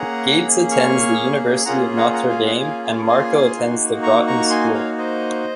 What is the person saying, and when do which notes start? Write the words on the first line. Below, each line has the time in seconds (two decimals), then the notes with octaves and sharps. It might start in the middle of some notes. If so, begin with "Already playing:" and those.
Gates attends the University of Notre Dame, and Marco attends the Groton School.
Already playing: A#3 C#4 G#4 F#5 A#5
0.71 C#6 F6
1.65 A#3 C#4 F4 G#4 F#5 A#5
1.97 F#5 A#5
2.13 F#5 A#5
2.29 F5 G#5
2.45 D#5 F#5
2.60 F5 G#5
2.84 F5 G#5
3.08 G#5 C6
3.56 A#3 D#4 F#4
4.02 A#5 C#6
4.27 A#5 C#6
4.50 G#5 C6
4.74 C#5 F5
4.98 C5 D#5